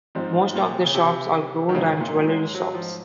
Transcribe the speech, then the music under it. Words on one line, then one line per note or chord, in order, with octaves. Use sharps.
Most of the shops are gold or jewelry shops.
G#2 F3 C4 F4 C5
G#2
A#2
C#3
C3
D#3
G#2 C#3 F#3 C#4 F4
A#2
G#3
F#3
F3